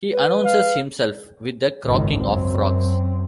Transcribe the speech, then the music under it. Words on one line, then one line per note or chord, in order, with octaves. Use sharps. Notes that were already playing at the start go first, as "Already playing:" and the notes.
He announces himself with the croaking of frogs.
B4
F5
G#1 C#2 F#2 D#3
F#2 C4